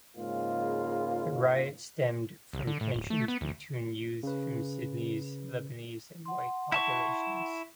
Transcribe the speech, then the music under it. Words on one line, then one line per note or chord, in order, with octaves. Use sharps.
The riots stemmed from tensions between youths from Sydney's Lebanese and white populations.
G#2 C#3 G#3 A#3 F4
C2
D3
A2
D1
A3
B3
D2
C#3 B4
F#5 C6
E4 A5 C#6